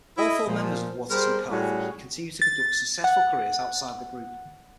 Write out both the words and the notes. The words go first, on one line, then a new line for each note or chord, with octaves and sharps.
All four members of Waterson-Carthy continue to conduct successful careers outside the group.
E4 D#5
A#2 F3
G3 G#4 A#4 C5
A2 G3 C#4 F#4 G#4
A6
F#5